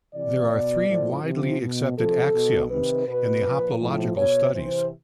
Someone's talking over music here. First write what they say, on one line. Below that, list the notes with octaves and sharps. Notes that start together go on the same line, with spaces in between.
There are three widely accepted axioms in hoplological studies.
C3 E3 D5
B2
A2 F3
C3 F3
B2
C3 F3 A4
B2
C3 D#3 B4
B2 B4
A#2 F3
A2 F3
B2 C#5
C3 E3 C5